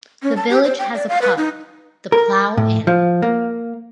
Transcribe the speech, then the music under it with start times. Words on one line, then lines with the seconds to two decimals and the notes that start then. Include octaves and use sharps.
The village has a pub, the Plough Inn.
0.23 C#4
0.37 A5
0.50 G4
0.64 C5
0.79 G5
0.94 D5
1.09 F5
1.22 B4
1.37 D#4
2.12 A#4
2.57 A2
2.87 F3
3.22 A#3